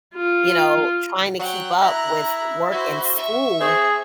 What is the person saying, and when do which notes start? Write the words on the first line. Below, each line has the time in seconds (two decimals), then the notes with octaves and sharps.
you know, trying to keep up with work and school
0.15 F4
1.40 F#3 F#5 G5
1.82 E4 A#5 F#6
2.71 F#4 C5
3.16 E5 C#6
3.61 C4 G#4